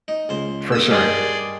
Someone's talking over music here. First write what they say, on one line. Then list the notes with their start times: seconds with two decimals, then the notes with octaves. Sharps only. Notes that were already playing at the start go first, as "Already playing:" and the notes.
For sure.
0.08 D#4
0.29 C#2 C5
0.72 D#6 E6
0.91 G2 D#3 G#4 D5 C6